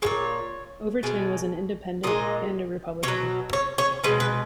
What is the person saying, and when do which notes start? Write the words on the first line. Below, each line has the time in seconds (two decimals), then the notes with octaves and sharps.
Overton was an independent and a republican.
0.02 A#2 G#3 C#5
1.03 B2 G#3
2.03 A#2 G#3 D#5
3.03 B2 C#5
3.08 F#3
3.53 C#5
3.78 C#5
4.04 B2 G#3 B4
4.20 B4